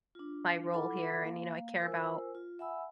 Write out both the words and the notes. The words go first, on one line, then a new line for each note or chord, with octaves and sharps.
my role here, and, you know, I care about,
D4 F4
E4 F4 A4 F#5 B5 D6
A#3 F5
F4 A#4 C5 G#5 E6
F4
E5 F#5 G#5 B5 E6